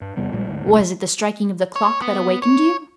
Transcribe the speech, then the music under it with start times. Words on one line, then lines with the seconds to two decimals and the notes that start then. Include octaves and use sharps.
"Was it the striking of the clock that awakened you?"
0.01 G2
0.17 E2 C3 G3 B3
0.32 A#1 A#2 G3 G#3
0.47 D2 G#2
0.65 E1 C2 F#2
1.76 C#5
2.02 B3
2.42 C#5